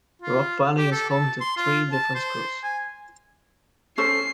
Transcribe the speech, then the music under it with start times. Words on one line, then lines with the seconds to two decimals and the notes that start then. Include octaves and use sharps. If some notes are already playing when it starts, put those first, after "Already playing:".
Rock Valley is home to three different schools.
0.22 F4
0.78 G4
0.92 A4
1.10 A5
1.40 C6
1.57 F4
1.92 A5
2.15 C5
2.63 G#5
3.98 C#4 A4 C5 C7